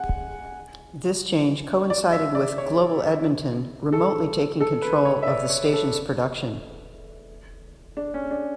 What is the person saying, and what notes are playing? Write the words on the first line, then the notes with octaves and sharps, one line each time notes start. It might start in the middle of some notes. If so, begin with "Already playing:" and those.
This change coincided with Global Edmonton remotely taking control of the station's production.
Already playing: F#5 G#5
D5
E5
D5
C#5
A4
A4
B4
C#5
E5
D5
C#5
A4
D4
C#4
D4